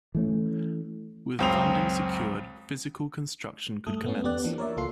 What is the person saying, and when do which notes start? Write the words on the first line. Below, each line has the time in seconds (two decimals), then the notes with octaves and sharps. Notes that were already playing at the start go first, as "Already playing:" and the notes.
With funding secured, physical construction could commence.
0.15 E3 A3 C#4
1.39 C#2 F#2 C4 B5 D#6 F7
3.86 G2 A3 A4 D#6
4.04 A3 B3 C#4
4.23 E2 B3 G4 D5 F#6
4.44 E3 F3 A#3 D4
4.58 A#4 C#5 D5 E5
4.77 C#2 A#3 F4 A4 C6 C7